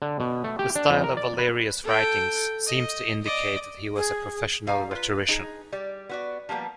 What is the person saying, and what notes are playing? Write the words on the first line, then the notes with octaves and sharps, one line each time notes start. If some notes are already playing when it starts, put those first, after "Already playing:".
The style of Valerius's writings seems to indicate that he was a professional rhetorician.
D3
B2
A3
G4
D4
F2
A#4
D5
B4
A4 G5
D#5
D5 D#5
G#4
G3 F5 G#5 A#5
F4 B4
D#4 G#4
G3 D5
B3 F#4 D5
F3 G3 A#3 B3